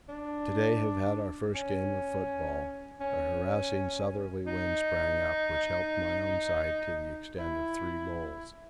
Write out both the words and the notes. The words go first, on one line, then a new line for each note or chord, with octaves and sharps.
To-day have had our first game of football; a harassing southerly wind sprang up, which helped my own side to the extent of three goals.
D4
C#4
C#4
D#4
E4